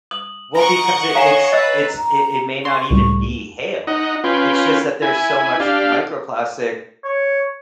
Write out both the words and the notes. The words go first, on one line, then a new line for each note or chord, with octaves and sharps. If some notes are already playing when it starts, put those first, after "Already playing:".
well, because it it's it's it it may not even be hail. It's just that there's so much microplastic
D#6 F#7
D#5 F#5 A#5 C#6 A#6 D7
C#5 F5 G#5 A#5 C7 E7
B4 D#5 E6 F#6 A6
A#5
C6 C#6
C#2 A2 G3
D#4 D#5 F#5
C#4 F4 B4 G5
E4 G#5
D4 G4 F5
C#5